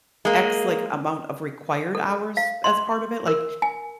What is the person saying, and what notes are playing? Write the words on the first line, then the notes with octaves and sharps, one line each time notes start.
X, like, amount of required hours as part of it? Like,
G#3 A#3
A4
F5
C6
A#4
G#5